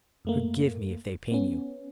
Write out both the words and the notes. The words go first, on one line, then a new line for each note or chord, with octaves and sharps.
Forgive me, if they pain you.
F#2 A3 A#3
B3 C#4